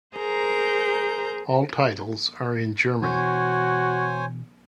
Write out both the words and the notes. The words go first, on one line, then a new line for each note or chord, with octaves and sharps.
All titles are in German.
G#4 A#4 C5 A#5 G6
B2 E3 F#4 C5 C#5 G#5